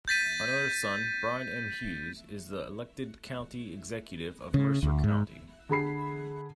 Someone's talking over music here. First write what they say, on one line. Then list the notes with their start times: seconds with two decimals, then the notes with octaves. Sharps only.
Another son, Brian M. Hughes, is the elected County Executive of Mercer County.
0.08 G6 A6 B6 D#7
4.54 C#3
4.83 D2
5.04 G#2
5.69 D3 G#4 B5 C7